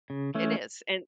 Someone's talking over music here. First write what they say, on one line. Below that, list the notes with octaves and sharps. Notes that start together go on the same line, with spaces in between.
It is, and
C#3
E3 A3 C#4